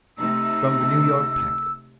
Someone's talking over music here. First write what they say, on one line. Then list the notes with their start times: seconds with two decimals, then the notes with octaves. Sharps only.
From the New York Packet.
0.17 C3 A3 D#4 E6